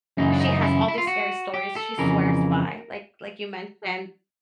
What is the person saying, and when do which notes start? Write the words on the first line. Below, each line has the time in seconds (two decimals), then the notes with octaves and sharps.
she has all these scary stories, she swears by. Like like you mentioned
0.17 F#2 C#3 E3 D#4
0.32 D4
0.40 D#4
0.62 E4
0.88 E4
0.98 F4
1.07 F#4
1.54 G4
1.76 A4
1.99 F2 C#3 E3 A#4